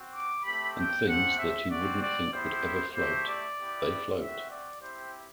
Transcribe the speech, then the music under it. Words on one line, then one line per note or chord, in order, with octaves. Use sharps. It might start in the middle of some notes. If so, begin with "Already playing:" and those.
And things that you wouldn't think would ever float, they float.
Already playing: C4 F#4
D6
A3 C4 G4 B5
G5
A3 C4 G4 F#5
E5
C4 F#4 D5
D5
B3 E4 G4 C5
A3 E4 G4 C5
D5
B3 E4 G4
C4 F#4 E5
D5
C4 E4 G4 C5